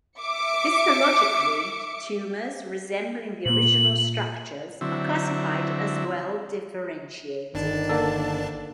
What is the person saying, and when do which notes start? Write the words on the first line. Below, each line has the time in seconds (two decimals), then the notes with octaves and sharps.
Histologically, tumours resembling the original structures are classified as well differentiated.
0.19 E5 D6 C#7
3.45 A#2 A#3 F#7
4.81 D3 F#3 C4 E4
7.54 G1 D#3 D4 A5
7.89 D3 A#3 A4